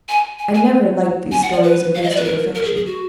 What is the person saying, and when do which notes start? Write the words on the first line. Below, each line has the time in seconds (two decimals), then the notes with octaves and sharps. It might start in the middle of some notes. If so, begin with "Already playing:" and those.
I never liked these stories of wasted affection.
0.09 G#5
0.39 G#5
0.54 G#5
1.32 G#5
1.42 F#5
1.52 D5
1.63 B4
1.95 F5
2.03 D#5
2.11 D5
2.17 B4
2.24 A#4
2.55 A#4
2.65 G#4
2.76 G#4
2.86 F#4